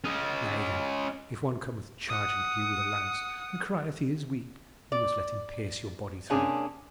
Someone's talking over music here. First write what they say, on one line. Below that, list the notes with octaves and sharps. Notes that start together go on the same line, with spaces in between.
Nay, then, if one cometh charging at you with a lance, and crieth he is weak, ye must let him pierce your body through!
C#4 D#5
F#5 D#6
D5
C3 A#3 C#4 D4 G#4